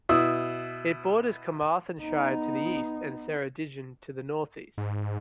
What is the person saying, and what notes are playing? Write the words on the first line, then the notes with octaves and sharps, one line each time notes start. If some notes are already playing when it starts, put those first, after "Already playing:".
It borders Carmarthenshire to the east and Ceredigion to the north east.
B2 E4 D#6 E6
B3 D#4
G#2